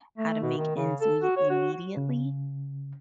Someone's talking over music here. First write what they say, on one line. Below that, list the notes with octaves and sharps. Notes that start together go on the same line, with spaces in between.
how to make ends meet immediately,
A3
B2
D#3
C#3
A4
F#4
C#5
F#4
C#3